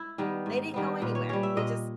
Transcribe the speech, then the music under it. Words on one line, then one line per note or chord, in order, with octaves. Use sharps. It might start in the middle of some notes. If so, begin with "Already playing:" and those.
they didn't go anywhere, they just
Already playing: E4
D#3 G3 B3
G#2
D#3 G3 B3
A#2 B4
C#5
G3 C#4 C#5
E5
A#2 D#5